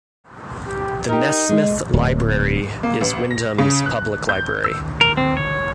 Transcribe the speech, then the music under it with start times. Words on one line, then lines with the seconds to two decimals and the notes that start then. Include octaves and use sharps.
The Nesmith Library is Windham's public library.
0.67 G4
1.09 D#4 G4 A#4
1.49 G#3
1.93 D1
2.83 A#3
3.01 A1
3.31 A#6
3.58 C#3
3.86 F#6
4.29 G6
4.64 E6
5.01 A#4
5.17 C4
5.37 C#5